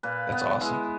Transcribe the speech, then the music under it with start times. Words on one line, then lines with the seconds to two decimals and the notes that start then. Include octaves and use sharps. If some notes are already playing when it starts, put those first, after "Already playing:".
That's awesome.
0.03 A#2 B4
0.32 B3
0.61 G#3 E4